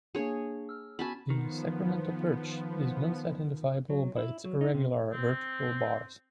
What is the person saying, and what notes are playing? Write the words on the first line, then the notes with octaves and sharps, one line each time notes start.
The Sacramento perch is most identifiable by its irregular vertical bars.
A#3 D4 G#4 C#5
E6 F6
B3 C#4 F#4 G#5 A5 B5
D#3 F3 B3
F#3
E4
F#3
D#4
C3
C4